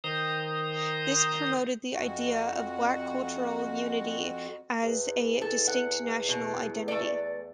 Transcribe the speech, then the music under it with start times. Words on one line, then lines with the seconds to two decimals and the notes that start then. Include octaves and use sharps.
This promoted the idea of black cultural unity as a distinct national identity.
0.04 D#3 C5 A#5 D#6
1.94 F2 F#4 F#5
4.81 E2
5.42 A4
5.68 F#5
6.29 B2
6.88 A3 D5